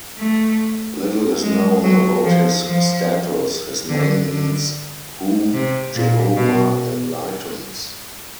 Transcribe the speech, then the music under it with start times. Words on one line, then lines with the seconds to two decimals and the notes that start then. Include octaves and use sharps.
Little is known about his status; his name means: 'whom Jehovah enlightens'.
0.18 A3
1.43 G#3
1.83 F#3
2.24 F3
2.66 F3
3.89 D3
4.31 D3
5.54 C3
5.96 A#2
6.36 B2